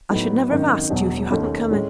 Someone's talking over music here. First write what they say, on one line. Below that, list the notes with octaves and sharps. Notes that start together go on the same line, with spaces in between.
'I should never have asked you, if you hadn't come in.
A2 F#3 B3 D#4
G#1 F#2 D#3
E1 E2 B2 F#3
D#2 D#3 A3 C#4
A2 G#3 C#4